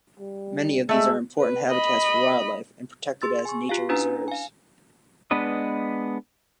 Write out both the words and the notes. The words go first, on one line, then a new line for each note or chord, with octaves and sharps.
Many of these are important habitats for wildlife and protected as nature reserves.
G3
G#3 A3 E5
B4
D#5 B5
G#4 C6 E6 A6
G#5 C#6
F4 G4 F5
C#4 D4 E4 B4 G#5 A#5
F5 G#5
G#3 B3 D4 B4 D#5